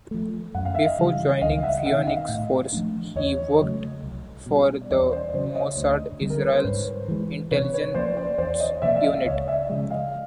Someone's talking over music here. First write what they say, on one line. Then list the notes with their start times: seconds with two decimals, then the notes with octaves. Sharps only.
Before joining Phoenix Force, he worked for the Mossad, Israel's intelligence unit.
0.11 F3 A3
0.55 F#2 F#5
0.65 F5
0.75 E5
0.85 D#5 F5
0.99 C#3 E3 G3
1.41 C#2 D#5 F5
1.63 E5 F#5
1.86 C3 E5 F#5
1.90 D#3
2.07 D#5 F5
2.29 A2
2.73 F3 A3 D4
3.15 E2 C#5 D#5
3.59 C#3 F#3 A3
4.03 C2
4.46 B2 G3
4.81 D5
4.90 E2 C#5 D#5
5.12 C5 D5
5.34 C#3 F#3 C5 D5
5.55 C#5 D#5
5.77 D2
6.21 D3 G3 C4
6.30 A#4
6.41 B4
6.53 C5
6.64 G#2 B4 C#5
7.08 E3 G#3
7.51 C3 B4 C#5
7.74 B4 C#5
7.94 F3 A#3 C5 D5
8.16 C5 D5
8.38 E2 C5 D5
8.60 C#5 D#5
8.82 C3 F3 A#3 D5 E5
8.96 E5
9.03 D#5 F5
9.26 C#2 C#5 D#5
9.47 D5 E5
9.69 C#3 F3 G#3
9.91 D#5 F5